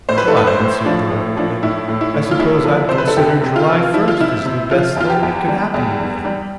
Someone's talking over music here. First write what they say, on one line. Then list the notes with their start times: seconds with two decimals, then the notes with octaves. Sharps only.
"Why," answered Burlingame, "I suppose I'd consider July first as the best thing that could happen to me."
0.09 A2 C5
0.18 B4
0.28 A4
0.34 A2 B4
0.47 C5
0.60 A2
0.85 F3 D4
1.11 A2
1.37 F3 D4
1.63 A2 E4
1.88 A2
2.01 E4
2.14 A2
2.31 F4
2.39 E2 E4
2.65 F3
2.89 C3 C5
2.98 B4
3.08 A4
3.17 E2 G4
3.43 C3
3.56 F4
3.69 F3
3.94 F3 E4
4.08 F4
4.20 C3 E4
4.46 C3
4.71 F3 F4
4.96 E2 F4
5.10 G4
5.23 E2
5.48 G3
5.74 E2
6.00 G3
6.25 G3